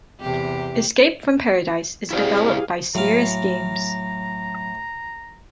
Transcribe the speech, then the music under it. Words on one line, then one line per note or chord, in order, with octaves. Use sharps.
Escape from Paradise is developed by Sirius Games.
E2 C3 G4
E4 G4 G#4 C5 D5 F5
A2 F#3 F5 A#5